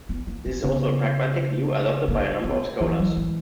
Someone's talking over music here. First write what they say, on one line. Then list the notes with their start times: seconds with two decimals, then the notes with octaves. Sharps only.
This is also a pragmatic view adopted by a number of scholars.
0.09 B3
0.27 A#3
0.46 C#4
0.64 C#3 B3
2.08 A#3
2.44 B3
2.80 E3 A#3
2.99 F#3
3.16 G#3